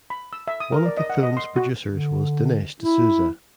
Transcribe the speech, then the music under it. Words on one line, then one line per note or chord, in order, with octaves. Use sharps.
One of the film’s producers was Dinesh D’Souza.
B5
E6
E5
D#6
A#4
D5
D#5
F#5
D#5
C6
F#4
D3
E4